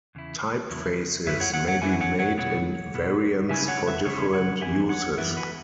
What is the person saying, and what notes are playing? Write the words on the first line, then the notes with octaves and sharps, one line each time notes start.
Typefaces may be made in variants for different uses.
E2 C#3 E4
E2 C#3 F#3 E4
F#2 F#3 E4 B4 E5
C#5 F#5
C#5 F#5
C#5 F#5
F#2 F#3 E4 E5 G#5
C#5 F#5
C#5 F#5
B2 F#3 B3 E4 C#5 F#5
B2 F#3 B3 E4
C#3 G#3 C#4 E4 E5 G#5
C#5 F#5
B4 E5
C#3 G#3 C#4 E4 G#4 C#5
C#5 F#5
F#2 E3 B3 E4 E5 G#5
C#5 F#5
F#2 E3 B3 E4 B4 E5
F#4 B4